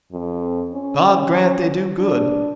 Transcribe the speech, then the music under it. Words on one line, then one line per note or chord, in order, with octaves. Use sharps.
God grant they do good!
F2
C#4
D4